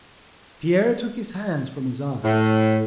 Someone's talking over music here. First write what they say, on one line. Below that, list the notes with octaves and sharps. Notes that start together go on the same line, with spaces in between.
Pierre took his hands from his eyes.
A2